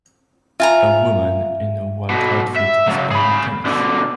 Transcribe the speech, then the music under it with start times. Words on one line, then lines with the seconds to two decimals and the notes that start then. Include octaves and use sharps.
A woman in a white outfit is playing tennis.
0.60 F4 E5 G#5 A#5
2.10 B1 B2
2.56 E5
2.88 C#3 F#3
3.11 G#4 B5
3.65 B2 D3